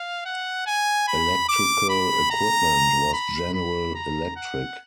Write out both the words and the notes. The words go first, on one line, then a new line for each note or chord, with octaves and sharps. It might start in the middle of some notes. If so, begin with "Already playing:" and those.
Electrical equipment was General Electric.
Already playing: F5
F#5
G#5
B5
D6
B5
A#5
B5
B5
A#5
F#5